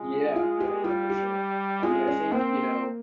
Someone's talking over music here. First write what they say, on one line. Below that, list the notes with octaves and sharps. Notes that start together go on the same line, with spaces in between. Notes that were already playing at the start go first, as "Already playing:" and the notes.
Yeah. Yeah, yeah, for sure. I mean, I think, you know,
Already playing: G#3 F4
F4
G4
G3 F4
G4
G#3 F4
C#4
A#3 C4